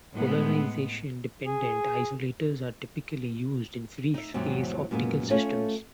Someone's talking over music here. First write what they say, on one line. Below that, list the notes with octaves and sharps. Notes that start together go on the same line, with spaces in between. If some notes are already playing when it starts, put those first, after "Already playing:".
Polarization dependent isolators are typically used in free space optical systems.
A2 G#3 B3
G#4
D#4 E5
E2 G#2 C3 F#3 C4
F#2 A#2 G#3 A#3 B3
A3 C#4 F4 C#5